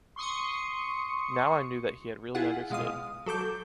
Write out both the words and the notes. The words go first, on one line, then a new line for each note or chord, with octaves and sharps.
Now I knew that he had really understood.
C6 C#6 D#6 C#7
E4 F4 G#4 F#5
B2 G#3 F5 D#6
F#3 A4 D6 G6